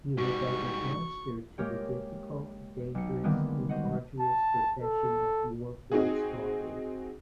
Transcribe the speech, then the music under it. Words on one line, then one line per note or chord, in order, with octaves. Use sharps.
You have added luster to the difficult, dangerous and arduous profession of War Correspondent.
G#2 G3 F#4 C#6
G#3 A#3 G4 A#4 C#5 G5
B1 C#7
D3 D#3 G3 G#3 A#3 B3
F#4 C5 D#5 F#5
A5
A4
C4 D#4 F#4 G#4